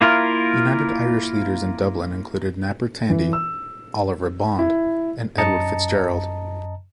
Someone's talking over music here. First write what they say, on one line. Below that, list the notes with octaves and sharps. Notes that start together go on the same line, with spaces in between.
United Irish leaders in Dublin included Napper Tandy, Oliver Bond and Edward Fitzgerald.
A#3 E4 F4 A#4
E3
E6
E4
F#2 D#5 A5 A#5 A6 C#7